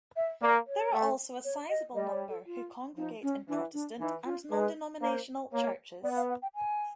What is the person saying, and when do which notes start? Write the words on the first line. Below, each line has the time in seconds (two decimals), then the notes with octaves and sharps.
There are also a sizable number who congregate in Protestant and non-denominational churches.
0.16 E5
0.42 A#3 D5
0.67 C#5
0.92 A3
1.44 C#5
1.69 D#5
1.95 G3 D#5
2.12 C#5
2.29 A4
2.46 F4
2.97 F3 D#4
3.23 C#4
3.48 E3 D4
3.74 D4
4.00 E3 D#4
4.25 F4
4.50 G#3 B4
5.02 A#3 C5
5.53 A#3 C#5
6.04 B3 D5
6.16 F5
6.29 F#5
6.42 G5
6.55 G#5